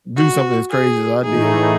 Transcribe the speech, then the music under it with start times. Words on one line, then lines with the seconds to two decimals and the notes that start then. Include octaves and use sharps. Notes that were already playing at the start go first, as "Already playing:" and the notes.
do something as crazy as I did,
0.17 F#4
0.70 G#4
1.24 A2 E3 A3 D#4 G#4